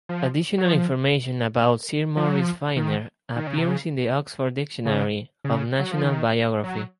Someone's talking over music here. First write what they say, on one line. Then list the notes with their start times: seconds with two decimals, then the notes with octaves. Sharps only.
Additional information about Sir Morris Finer appears in the Oxford Dictionary of National Biography.
0.09 F3
0.58 F#3
0.69 F3
2.17 F3
2.28 F#3
2.39 F3
2.77 D#3
3.36 D#3
3.47 C#3
3.57 C3
3.67 C#3
4.85 C#3
5.44 C#3
5.79 F#3
5.92 F3
6.04 D#3
6.64 F#3